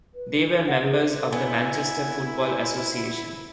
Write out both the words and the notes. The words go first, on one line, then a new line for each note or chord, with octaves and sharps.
They were members of the Manchester Football Association.
B4
B4
D4
F#5
G#4
B3 E4 G#5